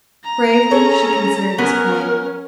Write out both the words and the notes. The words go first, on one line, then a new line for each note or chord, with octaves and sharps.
Gravely she considered this claim.
A#5
C#4 G#4 A4 C#5
F#3 B3 C#4 A#4